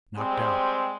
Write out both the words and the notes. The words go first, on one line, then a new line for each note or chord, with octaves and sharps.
Knocked out.
G3 G#3 C4